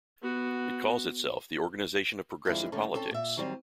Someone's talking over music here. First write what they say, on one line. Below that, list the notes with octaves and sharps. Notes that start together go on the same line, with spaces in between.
It calls itself the organization of progressive politics.
B3 F#4
F2 D3 F3 G#3 E4
D3 G3 A3 A#3 C#4
C4 C#4 A4 A5
A#2 E5
D#3 F#3 G3 C4